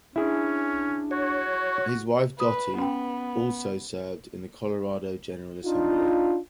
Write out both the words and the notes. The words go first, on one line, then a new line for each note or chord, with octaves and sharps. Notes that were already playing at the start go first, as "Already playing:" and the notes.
His wife Dottie also served in the Colorado General Assembly.
C#4 D4 E4 G#4
F#4 C#5
B4 D#6
B3 C#4 G5
D4 D#4 F4